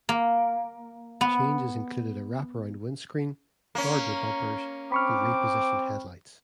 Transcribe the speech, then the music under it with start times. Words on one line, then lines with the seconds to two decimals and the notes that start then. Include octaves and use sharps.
Changes included a wraparound windscreen, larger bumpers, and repositioned headlights.
0.09 A#3
1.21 B3
3.75 A#3 C#4
4.92 C4 B5 C#6 D6 F6